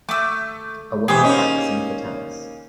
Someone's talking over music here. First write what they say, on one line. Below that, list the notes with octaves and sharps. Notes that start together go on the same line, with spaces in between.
A woman practicing for tennis.
A3 D6 E6
G#2 E3 G4 G#4 C5
A#3 C#4 D#4